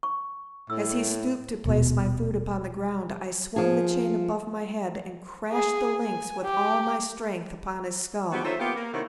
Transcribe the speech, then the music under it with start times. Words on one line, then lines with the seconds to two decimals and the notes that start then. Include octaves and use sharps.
As he stooped to place my food upon the ground I swung the chain above my head and crashed the links with all my strength upon his skull.
0.03 C#6
0.70 A2 E6
1.65 D#1 B2
3.56 F3 G#4
5.53 G#4
6.03 G#5
6.43 G4
8.32 F3 B3 C4 F#4 G4
8.45 D#4 F4 A4 C5 C#5 E5
8.60 A#3 B3 F4 G4
8.75 A#3
8.93 C3 D#3 F#3 A3 A#3 E4